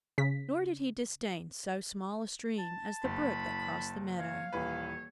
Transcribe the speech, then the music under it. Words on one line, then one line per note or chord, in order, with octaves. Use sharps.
Nor did he disdain so small a stream as the brook that crossed the meadow.
C#3 B6
A5
F#1 B5
C#5 F5
D#1 E3 B4 C#5